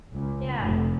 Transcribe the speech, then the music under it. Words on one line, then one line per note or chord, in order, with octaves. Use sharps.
Yeah, y
C#2
F1